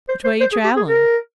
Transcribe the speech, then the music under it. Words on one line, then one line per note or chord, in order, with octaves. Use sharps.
"Which way you traveling?"
C5
C5
C5
G#4
G4
G#4
A#4